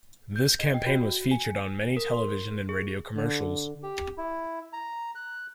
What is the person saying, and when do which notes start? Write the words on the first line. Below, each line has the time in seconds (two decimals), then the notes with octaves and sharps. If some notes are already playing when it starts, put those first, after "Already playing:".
This campaign was featured on many television and radio commercials.
0.36 G6
0.59 D#5
0.74 G5
0.86 F#4
1.31 G#5
1.97 A#4
2.14 C6
2.69 G#4
3.16 D3
3.83 G4
4.17 E4
4.73 A#5
5.15 F#6